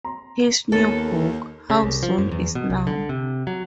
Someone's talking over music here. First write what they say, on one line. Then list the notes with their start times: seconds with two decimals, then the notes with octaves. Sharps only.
His new book How Soon Is Now?
0.04 A#5 C6
0.72 D#2 A#3 B3 A4 C#5 G#5
1.70 C#3
1.83 C2
2.03 F3
2.18 F#2
2.31 E2
2.55 B2
2.70 C2
2.87 D3
3.09 C3
3.47 F#3